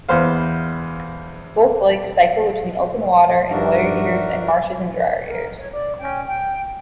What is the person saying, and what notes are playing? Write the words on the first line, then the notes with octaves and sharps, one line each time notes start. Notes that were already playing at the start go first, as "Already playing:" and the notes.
Both lakes cycle between open water in wetter years and marshes in drier years.
E2 B3 C5 F5
G2 F3 D4 D#4 F#4 A#4 E5
A#4
C#5
D5
C#4 G5
G5